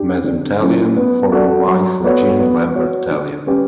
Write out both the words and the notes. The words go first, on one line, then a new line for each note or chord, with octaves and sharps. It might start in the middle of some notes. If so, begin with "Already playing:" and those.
Madame Tallien, former wife of Jean Lambert Tallien.
Already playing: D4 G4
D3
F#3 C#4 E4
B3
F#4 A4 D5
F#3
B3 F#4 A4 C#5
B3
F#4 C#5
D3
G3 C#4 G4 B4